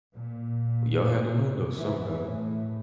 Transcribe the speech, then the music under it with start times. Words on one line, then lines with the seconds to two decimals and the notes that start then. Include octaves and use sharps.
Well, y'all had to learn, though, somewhere.
0.14 A#2
1.75 E3
2.27 A2